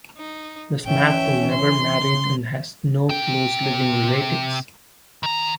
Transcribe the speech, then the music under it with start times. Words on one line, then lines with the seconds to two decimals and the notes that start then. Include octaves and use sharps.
Miss Marple never married and has no close living relatives.
0.17 D#4
0.85 E3 C#4 E5 G5
1.51 C6
2.02 C#3
3.09 C3 G5
5.23 D#3 A#5